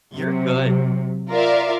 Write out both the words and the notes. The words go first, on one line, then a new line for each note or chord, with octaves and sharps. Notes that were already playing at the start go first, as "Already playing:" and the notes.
You're good.
C3 F#3
F4 A#4 D5 E5 F5